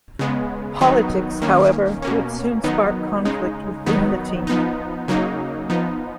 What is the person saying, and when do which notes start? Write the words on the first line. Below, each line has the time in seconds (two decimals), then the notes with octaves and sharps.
Politics, however, would soon spark conflict within the team.
0.19 C#3 G#3 B3
0.81 D#3 F#3 B3 D#4
1.42 D#3 A#3 C#4
2.02 B2 A#3 C#4
2.64 D#3 F#3 B3 D#4
3.25 C#3 G#3 D#4
3.86 D#3 F#3 B3 D#4
4.47 F3 B3 D#4
5.08 C#3 F#3 A#3 D#4
5.69 F3 B3 D#4